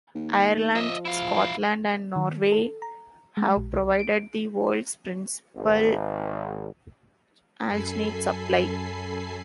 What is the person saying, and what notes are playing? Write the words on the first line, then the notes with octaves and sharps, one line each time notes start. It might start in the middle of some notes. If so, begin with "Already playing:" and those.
Ireland, Scotland and Norway have provided the world's principal alginate supply.
D#2
F3 D#5 E5
E4 F5
D#3
A4
A#5
G#3
A#1
C2
D7
G#1
F#2 A4 G#5 B5 C7